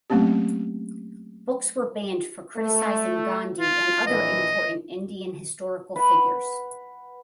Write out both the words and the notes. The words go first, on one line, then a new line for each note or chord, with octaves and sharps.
Books were banned for criticizing Gandhi and other important Indian historical figures.
F#3 A3 A#3 C4 C#4 G4
A3
F4
A#1 E3 D#5
B4 F#5